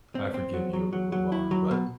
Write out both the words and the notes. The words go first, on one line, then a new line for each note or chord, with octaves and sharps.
"I forgive you," we move on, but
C4
C4
F#3
F#3
F#3
F#3
E4
F#3
B2